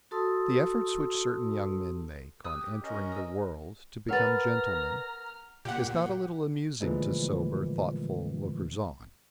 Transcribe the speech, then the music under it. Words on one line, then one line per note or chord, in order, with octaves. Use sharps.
THE efforts which certain young men make, on entering the world, to become gentlemen, is not a little amusing to sober, thoughtful lookers on.
F#4 A4 A5 C6 D#6 E6
G4 D#6 E6 F#6
C#4 F#4 A#4 D#5
D#6 E6
A#4 B4 C#5 F#5 A#5 F6 A6
A#2 G4 F#5
A#2 D3 E3 F3 G#3 A3